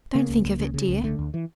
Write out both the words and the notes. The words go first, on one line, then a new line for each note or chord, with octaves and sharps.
'Don't think of it, dear.
C#3 A#3
C#2
C#2
C#3
C#3
C#2
D3 A3
D2
E3